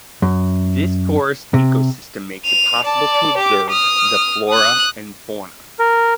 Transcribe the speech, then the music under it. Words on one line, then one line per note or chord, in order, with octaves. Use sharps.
This forest ecosystem makes it possible to observe the flora and fauna.
F#2
C3
D#7 F7
D5 A5
G4 D6
D#6 F6
D#6 F#6
A#4